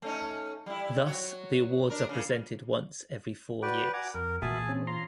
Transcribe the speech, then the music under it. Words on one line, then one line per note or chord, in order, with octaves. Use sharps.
Thus, the awards are presented once every four years.
A3 C#4 D#4
G3 E4
F#3 F#4 C#5
D4 A#4
C#3 A#3
F#4 B4 D5 G5
F#5 G#5 A#5 D6
F2 A#4
A#2 E3 F#4 G#4 E5 G#5 A5 B5
C4 C#4
F4 A#5 C6